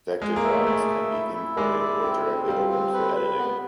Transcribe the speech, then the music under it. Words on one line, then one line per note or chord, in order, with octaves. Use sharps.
Vector drawings can be imported or directly opened for editing.
G#3 G#4
A#3
E5
A3
A3 G#4
E5
E4
E4
G#3 D5
E4
C4
C4
G3 F4
C4
B4
B4
B3